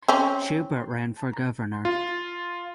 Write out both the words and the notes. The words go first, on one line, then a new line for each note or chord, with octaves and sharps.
Shubert ran for Governor.
C4 C#4
F4